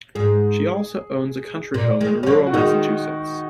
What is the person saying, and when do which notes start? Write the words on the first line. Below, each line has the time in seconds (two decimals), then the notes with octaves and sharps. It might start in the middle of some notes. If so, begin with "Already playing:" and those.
She also owns a country home in rural Massachusetts.
0.15 G#2 G#4
1.74 A#2
2.01 D#3 G#3
2.23 C#4
2.26 F#3 A#3
2.46 F#4
2.53 D#3 G#3 D#4